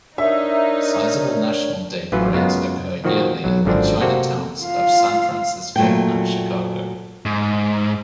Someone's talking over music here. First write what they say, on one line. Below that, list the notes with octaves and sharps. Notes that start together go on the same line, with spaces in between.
Sizable National Day parades occur yearly in the Chinatowns of San Francisco and Chicago.
D4 D#4 A#4 C#5 E5
A1 E3 F#3 C#4 F4 B4
F#2 C#3 G#3 B3 F4
A#2 D#3 F3 C4 F#4
B1 F#3
G#1 F#2 D3 F3 C4 D4
C3 A#3 C4 F#4 A4
F4 F5
A#2 F#3 A3 F4 D5 G5
G#2